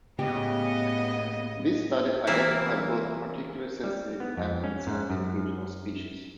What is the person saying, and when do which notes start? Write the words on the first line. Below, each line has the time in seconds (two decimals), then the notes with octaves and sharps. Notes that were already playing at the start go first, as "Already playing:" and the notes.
This study identified both particularly sensitive and insensitive groups of species.
0.19 A2 C#3 B3 G4 D#5
2.27 C3 E3 A#3 E4
3.84 G3
4.20 B3
4.37 F2
4.64 C#4
4.87 G#2
5.10 F#2